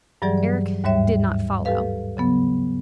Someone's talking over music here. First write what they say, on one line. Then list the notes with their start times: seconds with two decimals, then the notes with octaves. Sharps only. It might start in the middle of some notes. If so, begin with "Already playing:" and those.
Eric did not follow.
0.22 G2 E3 F#3 G3 G#4 D5
0.38 D5
0.84 D#2 G#2 G3 C#5 E5
1.65 G4 A4 B4 F5
2.17 C#3 F#3 B3